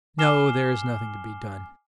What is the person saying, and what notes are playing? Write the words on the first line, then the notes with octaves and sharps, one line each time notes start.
No, there is nothing to be done.
G#5 D6 F6 C7 E7 G7